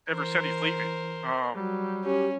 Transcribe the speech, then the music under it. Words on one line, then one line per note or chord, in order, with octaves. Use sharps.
ever said he's leaving." Um
E3 A#4 C5
F#3 G3
C#4 G4